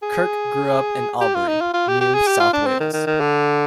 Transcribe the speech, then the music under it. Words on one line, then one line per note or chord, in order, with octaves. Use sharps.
Kirk grew up in Albury, New South Wales.
G#4
G4
F4
D#4
F4
F4
G4
G4
G#4
G4
F4
D4
C4
D#3
D#3
D#3
D3